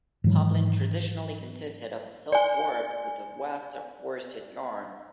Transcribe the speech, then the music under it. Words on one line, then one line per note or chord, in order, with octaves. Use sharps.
Poplin traditionally consisted of a silk warp with a weft of worsted yarn.
G#2 D#3 E3 F#3
D5 G#5